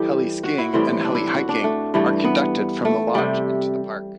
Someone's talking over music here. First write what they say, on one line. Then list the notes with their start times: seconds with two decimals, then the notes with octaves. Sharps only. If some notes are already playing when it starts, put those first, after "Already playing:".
Heli-skiing and heli-hiking are conducted from the lodge into the park.
Already playing: E3 G3 G4 A4
0.43 F#4
0.58 E4
0.73 A2 E3 G3 C4
1.04 D4
1.15 E4
1.35 F#4
1.49 D4
1.64 A3
1.94 G2 E3 G3 A3
2.24 B3
2.85 A3
3.15 C3 G3